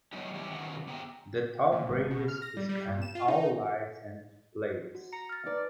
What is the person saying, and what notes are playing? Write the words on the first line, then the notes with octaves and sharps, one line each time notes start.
The toll bridges scan all license plates.
F#3 A3 B3 C#4 D#4 G4
E3 G3 C#4 G4
D#3 F3 F#3 B3 C#4
B3 G4 G#4 G5 G#5 A#5
A#2
G#1
B2
F6
A#6
G3
G3
G2
E7
F4
D#4
F#4
A#5 C#7
F6 A6
D#4 B4 D5